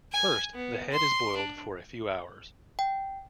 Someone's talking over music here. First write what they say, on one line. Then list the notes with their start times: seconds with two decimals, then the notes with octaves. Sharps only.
First, the head is boiled for a few hours.
0.12 G#5
0.54 B3
0.91 C6
1.37 D4
2.79 G5